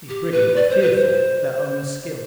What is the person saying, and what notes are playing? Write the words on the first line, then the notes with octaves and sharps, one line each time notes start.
These brigands were fearful of their own skill.
G4
B4
D5
C5
B4
C5